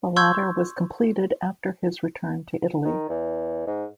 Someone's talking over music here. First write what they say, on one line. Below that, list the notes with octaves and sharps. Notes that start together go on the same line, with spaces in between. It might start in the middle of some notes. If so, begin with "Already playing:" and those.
The latter was completed after his return to Italy.
C6 C#6 E6 G6 G#6
D#3
E2
G#2